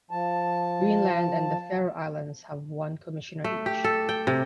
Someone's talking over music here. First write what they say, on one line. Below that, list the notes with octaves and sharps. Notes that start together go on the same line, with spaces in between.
Greenland and the Faroe Islands have one Commissioner each.
F3 A5
A3
G4
A4
G5
C3